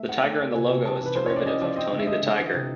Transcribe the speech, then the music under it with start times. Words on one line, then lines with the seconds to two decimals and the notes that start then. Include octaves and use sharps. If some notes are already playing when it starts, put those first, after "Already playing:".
The tiger in the logo is derivative of Tony the Tiger.
Already playing: A3 E5
0.09 C4 F#5
0.23 A3 G5
0.40 C4
0.54 C3 G#5
0.70 C3
0.85 C3 A5
1.00 E3
1.06 B4
1.15 F3 C5
1.26 C#4 C#5
1.36 D5
1.46 C#4 D#5
1.61 F3 D5
1.76 C4 D#5
1.92 D3
1.99 E5
2.07 G#3 D#5
2.23 D3
2.38 E3
2.54 C3